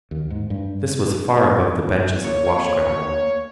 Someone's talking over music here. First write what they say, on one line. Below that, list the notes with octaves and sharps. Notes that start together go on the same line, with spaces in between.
This was far above the benches of wash-gravel.
D#2
G#2
G2
A#3 C#5